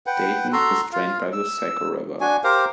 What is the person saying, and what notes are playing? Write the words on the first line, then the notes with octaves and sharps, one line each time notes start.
Dayton is drained by the Saco River.
B4 F#5 G5
F#4 A4 A#5 C6
F4 F5
E6
D4 F#4 G#5
G4 A#4 C5 F5